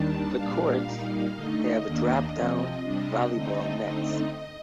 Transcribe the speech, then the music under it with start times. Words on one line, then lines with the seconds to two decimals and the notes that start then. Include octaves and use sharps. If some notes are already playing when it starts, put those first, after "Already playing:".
The courts have drop-down volleyball nets.
Already playing: D#2 D#3 G3 D4 A5
0.36 A#2 G3 D4 F5
0.85 A#2 G3 A#3 D#4
1.35 D3 A3 D#4 D#5
1.85 D#2 D#3 A#3 D4
2.34 C3 F3 C4 D#5
2.84 C3 G3 D4
3.33 D3 A3 C4 D#4 D#5
3.83 D3 A3 C4 D#4
4.32 D#5